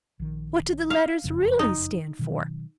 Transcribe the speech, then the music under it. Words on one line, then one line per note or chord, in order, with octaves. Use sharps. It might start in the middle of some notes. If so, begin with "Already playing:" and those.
"What do the letters really stand for?"
A#1 D#3
F5
F#1 F2 C#3
D#4
B2 D#3 F#3